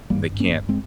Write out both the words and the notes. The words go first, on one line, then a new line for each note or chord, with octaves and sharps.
They can't
G#1 G2 G3 A#3
A#3 C#4
G#3 C4